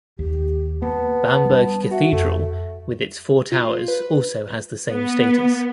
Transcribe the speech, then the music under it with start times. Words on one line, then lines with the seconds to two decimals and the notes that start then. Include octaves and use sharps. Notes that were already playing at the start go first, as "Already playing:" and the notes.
Bamberg Cathedral with its four towers also has the same status.
0.19 D#2 G4
0.82 A#3 B3 A5
1.45 G3 D4
1.91 F#4 E5
2.12 F2 A3
3.52 F4
3.88 B4
4.90 B3